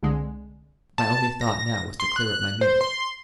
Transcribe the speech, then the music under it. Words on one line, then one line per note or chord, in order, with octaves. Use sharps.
My only thought now was to clear up my meaning.
C2 D3 G#3
A5
A#6
C6
F#6
C5
C6